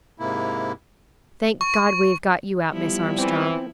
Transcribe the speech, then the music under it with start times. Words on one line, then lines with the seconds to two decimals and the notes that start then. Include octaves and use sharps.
"Thank God, we have got you out, Miss Armstrong."
0.20 G#2 C3 A#3 E4
1.61 C#6
2.71 F3 G3 B3 E4
3.18 E3 C4